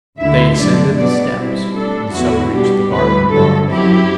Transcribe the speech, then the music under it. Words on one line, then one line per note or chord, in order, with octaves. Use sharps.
They ascended the steps, and so reached the garden above.
D2 D3 A3 E4 E5
G2 D3 F#3 A3 D4 D5
B2 F#3 B3 D4 D5
B2 G3 C4 E4
A2 G3 D4 A4
E2 D3 A3 E4 F#4
B2 G3 B3 D4 G4
D2 C3 E3 G3 B4
G2 D3 F#3 A4
F#2 F#3 C4 E4 G4